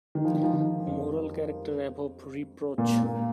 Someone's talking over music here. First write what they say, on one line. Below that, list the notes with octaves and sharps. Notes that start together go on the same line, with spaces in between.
Moral character above reproach.
D#3
F3
D#3
F3
D#3
F2
A#2
A#2